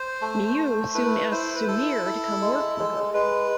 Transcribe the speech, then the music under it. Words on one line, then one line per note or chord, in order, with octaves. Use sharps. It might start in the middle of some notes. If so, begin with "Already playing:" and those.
Miu soon asks Sumire to come work for her.
Already playing: C5
A3
A3
E4 B4
E4 C5
B4
E4 A4
E4
G#3
G#3
G#3 B4